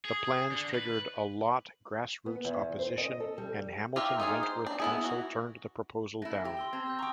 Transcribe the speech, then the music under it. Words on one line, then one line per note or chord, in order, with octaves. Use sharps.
The plans triggered a lot grass-roots opposition, and Hamilton-Wentworth Council turned the proposal down.
G#4
D3
B4
B3
E2
C5
D#5
A4
G3
F4 G4 A#4 E5
D#4 F4 G#4
C5
D4
B3 E4 G#4
E3 F#4
A3 E4 A#6
G4
C6 E6 G7
C4 A5 G#6
E6 G6
G5 A#5 C#6 D#6